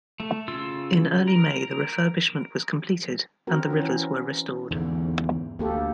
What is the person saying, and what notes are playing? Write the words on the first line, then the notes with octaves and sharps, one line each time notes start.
In early May, the refurbishment was completed, and the rivers were restored.
A3
C#3 F4 E6
A#4
C4 F#4 A#4
E3 C#4
E2 G#2 D3
D2 A#3 G4 A4